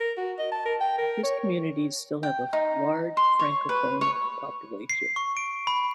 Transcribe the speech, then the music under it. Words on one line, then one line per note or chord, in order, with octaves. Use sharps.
These communities still have a large francophone population.
A#4
F#4
D#5
A5
A#4
G5
A#4
C#5
G5
D#4
C6
C#5
B4
C#5
C7
C#6
D7
B5